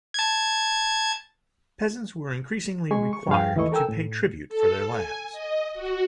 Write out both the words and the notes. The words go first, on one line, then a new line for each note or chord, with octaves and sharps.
Peasants were increasingly required to pay tribute for their lands.
A5 G#6
G#3 G#4 G#5 C#6
C#6
G2 F3 G#4 F5 G5
D#2 E3 A3 E4 D#5 C#6
A4 A#4 G5 G#5 E6
A2
A4
G#5
D#5
F#4